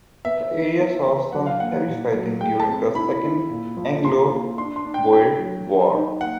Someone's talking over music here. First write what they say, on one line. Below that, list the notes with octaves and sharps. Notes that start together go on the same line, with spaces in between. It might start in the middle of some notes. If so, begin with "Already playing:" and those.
The area saw some heavy fighting during the Second Anglo-Boer War.
B3 E5
E3
B3
B3
F#3 F#5
F5
A#3 F#5
A#2
F#3
G#3 G5
A5
C4
E4 B5
E4
A#2
F3
F3 C6
A#3
D4 C6
C6
D4
G5
F#4 G5
F#3
F#3
D#4
A#3 F#5